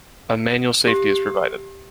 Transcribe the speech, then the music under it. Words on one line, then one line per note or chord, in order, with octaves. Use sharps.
A manual safety is provided.
G4